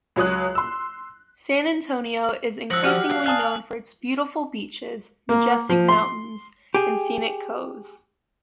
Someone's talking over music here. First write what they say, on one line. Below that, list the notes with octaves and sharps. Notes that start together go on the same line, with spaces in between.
San Antonio is increasingly known for its beautiful beaches, majestic mountains and scenic coves.
C#2 F#3 C#5 D#6 F#6
C6 E6
F3 E6 F#6 A#6 C#7 F#7
F#4 G4 D5 F#5 F6
B1 F5
F5 G#5 A5 D#6 F#6
A#3
F3
C6
G4 G#4